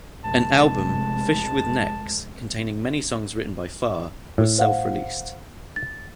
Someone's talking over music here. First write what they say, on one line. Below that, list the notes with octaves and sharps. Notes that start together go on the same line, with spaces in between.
An album, "Fish With Necks", containing mainly songs written by Farr, was self-released.
F1 F2 G#3 A5
A2
C5 F5 F#5
A6